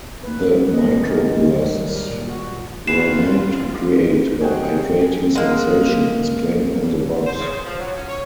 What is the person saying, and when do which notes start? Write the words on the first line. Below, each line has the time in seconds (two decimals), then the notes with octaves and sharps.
The "micro-bursts" were meant to create "a hydrating sensation", as claimed on the box.
0.23 B4
0.73 D#5
1.03 A#4
1.15 G#3
1.38 F#3
1.55 D#3
1.70 G3
1.87 A#4
2.10 A#2
2.27 F#4
2.87 C4 F4 F#4 G#4 B4 C7 E7
4.41 C3 D#3 G3 C#4 F#4 G#4 G5
5.35 G#3 A#3
7.27 C5
7.40 C#3
7.52 C5
7.66 F3
7.80 F#3
7.96 C#4
8.08 C#5